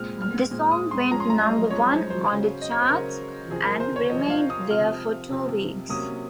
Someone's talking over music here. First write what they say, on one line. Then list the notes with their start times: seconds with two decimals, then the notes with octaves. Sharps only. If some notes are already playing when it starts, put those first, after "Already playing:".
The song went number one on the charts and remained there for two weeks.
Already playing: A#2 G#3 C4 F6
0.22 F6
0.51 A#2 G#3 C4
0.71 D#6
0.91 C6
1.11 F3 G#3 C#4 A#5
1.20 C6
1.30 A#5
1.41 D#5
1.70 F3 G#3 C#4 C#5
1.91 C5
2.10 C5
2.31 C#3 F#3 C#4
2.62 D#5
2.71 C#5
2.81 C5
2.90 C#3 F#3 C#4 A#4
3.50 C3 F3 C4 G#4
3.65 A#4
3.80 C5
3.96 C#5
4.10 C3 F3 C4 D#5
4.30 F5
4.50 D#6
4.70 C3 F3 C4 F6
5.30 C3 F3 C4
5.89 C3 F#3 A#3 C#4 D#6